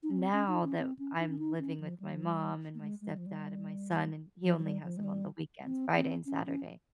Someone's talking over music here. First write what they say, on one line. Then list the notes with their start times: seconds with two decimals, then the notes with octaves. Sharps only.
now that I'm living with my mom and my stepdad and my son, and he only has him on the weekends- Friday and Saturday.
0.03 D#4
0.11 C#4
0.17 C4
0.33 C#4
0.48 D#4
0.63 C#4
0.79 C4
0.99 C#4
1.19 D#4
1.29 C#4
1.39 D#4
1.59 C#4
1.80 F3
2.00 G3
2.12 F3
2.24 G3
2.75 A#3
2.81 G#3
3.01 G#3
3.09 G3
3.18 F3
3.26 G3
4.43 F3
4.58 F3
4.63 G3
4.83 F3
4.97 G#3
5.04 G3
5.65 C4
5.95 C4
6.26 C#4
6.46 C#4